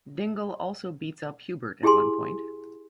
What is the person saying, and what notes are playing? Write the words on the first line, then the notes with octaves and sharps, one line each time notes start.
Dingle also beats up Hubert at one point.
E4 G4 G#4 G#5 C6